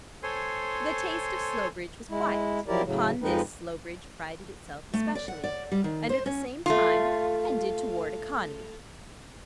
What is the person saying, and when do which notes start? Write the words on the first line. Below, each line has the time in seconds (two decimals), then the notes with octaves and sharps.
The taste of Slowbridge was quiet,--upon this Slowbridge prided itself especially,--and, at the same time, tended toward economy.
0.23 A4 C5 C#5 G#5 C6
2.10 G#3 E4
2.68 F3 F#3 E4 G4 A#4 D5
2.84 A2 C#3 F#3
3.22 F2 F3 G#3 C4 D#4 B4
4.94 A3
5.15 D5
5.28 F#5
5.44 D5
5.72 G3
5.84 D#3
6.09 C5
6.26 C#4
6.66 A3 F4